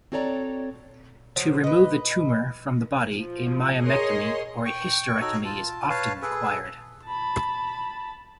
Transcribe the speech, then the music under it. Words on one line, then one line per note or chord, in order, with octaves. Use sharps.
To remove the tumor from the body, a myomectomy or hysterectomy is often required.
C4 F#4 A4 C#5 D5 A#5
F3 F#3
B4 D#5
F3
G#4 A#4 C#5 D#5 C6
G5 C#6
D#4 F#4 A4 C#5
F4 A5
B4 C#5 F5 A5
G#4 A4 B4
A5 B5